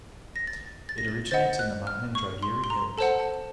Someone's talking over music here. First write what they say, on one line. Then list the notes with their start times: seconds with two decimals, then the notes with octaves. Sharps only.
It originates in the Mahendragiri hills.
0.36 A#6
0.47 A6
0.89 A6
0.98 A#6
1.08 A6
1.31 C5 D#5 F#5 A6
1.59 F#6
1.87 F6
2.15 C#6
2.43 C6
2.64 C6
2.70 A#5
2.98 A4 C5 F#5 A5
3.20 A5